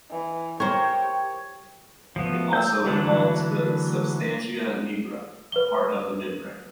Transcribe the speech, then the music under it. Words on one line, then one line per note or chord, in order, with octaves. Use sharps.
It also involves the substantia nigra, a part of the midbrain.
E3
G4 A#4 C5 C#5
F3 A3 B3
E6 G6
D3 E3 F#3 A3 D4
B4 G7